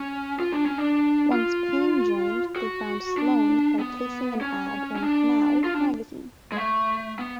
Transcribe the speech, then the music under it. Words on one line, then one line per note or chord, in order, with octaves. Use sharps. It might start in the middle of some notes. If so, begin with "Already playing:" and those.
Once Payne joined they found Slone by placing an ad in "Now" magazine.
Already playing: C#4
F4
D4
C#4
D4
F4
F#4
D4
B3
C#4
C#4
D4
F4
D4
G#3
A3
B3